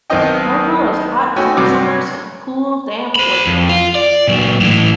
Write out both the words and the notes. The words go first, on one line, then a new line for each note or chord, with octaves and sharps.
Melville has hot sunny summers, and cool damp winters.
B1 D#3 C4 D#4 D#5 G5
A3 C#4 D#4 F#4 G5 G#5
G2 C3 F#3 F#4 D6
C5 B5
F2
F4
D5
A#2 F#3
A2 E3